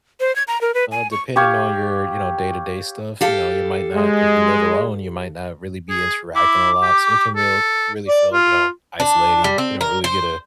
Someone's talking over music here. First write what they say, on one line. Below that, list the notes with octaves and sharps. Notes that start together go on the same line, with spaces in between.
uh, depending on your, you know, day-to-day stuff, you know, you might not if you live alone, you might not really be interacting a lot, so it can real really feel, you know, isolating, you know, really get a
C5
G#6
A#5
A#4
B4
G#5
C#6
G4 C#5 F5
G4 A4 F5
G#3
G#4
E4 D6
G4
A4
D5
F4
D4
G3
C4
A#4
C5